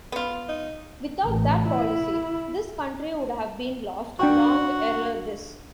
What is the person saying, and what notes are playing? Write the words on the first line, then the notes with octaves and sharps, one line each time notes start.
Without that policy, this country would have been lost long ere this.
B3 F4
D#4
A1
E4
D4 F#4 G5 C#6